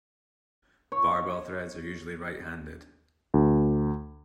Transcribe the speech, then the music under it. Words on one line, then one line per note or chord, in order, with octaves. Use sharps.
Barbell threads are usually right-handed.
C#5
D2